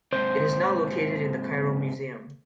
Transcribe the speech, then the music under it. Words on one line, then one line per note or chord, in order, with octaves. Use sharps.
It is now located in the Cairo Museum.
G#2 C3 C5